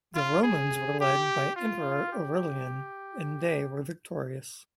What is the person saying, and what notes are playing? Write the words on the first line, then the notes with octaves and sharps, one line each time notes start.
The Romans were led by Emperor Aurelian, and they were victorious.
F4
G#4
G4
F4
G4